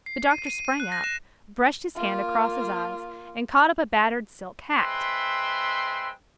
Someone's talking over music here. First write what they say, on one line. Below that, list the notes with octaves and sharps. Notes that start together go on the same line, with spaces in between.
The doctor sprang up, brushed his hand across his eyes, and caught up a battered silk hat.
C7
D#7
D#7
D#7
F#6
A#6
E7
A#3 F4
G#3 C4 B4 E5 G5 C6